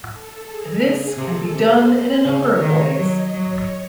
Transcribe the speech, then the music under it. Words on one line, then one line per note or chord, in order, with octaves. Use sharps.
This can be done in a number of ways.
A4
G#4
C#3 G#4
C3 A4
C3 C5
C5
C#3 C#5
D#3
F#3 D#5
F#3 C#5